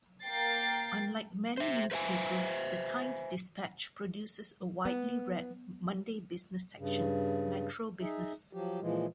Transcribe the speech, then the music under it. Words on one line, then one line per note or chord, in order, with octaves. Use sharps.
Unlike many newspapers, the "Times-Dispatch" produces a widely read Monday business section, Metro Business.
A#3 A#4 G5 A6 C7
C5 E5
B4 C5 E5 G5 G#5
B3
G2 C#3
D#4 G#4 E5
F3 F#3 G4
A#2 E3 F3 G#3